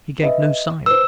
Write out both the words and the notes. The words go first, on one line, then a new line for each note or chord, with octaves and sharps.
He gave no sign.
B4 D#5 E5
B4 C5 E6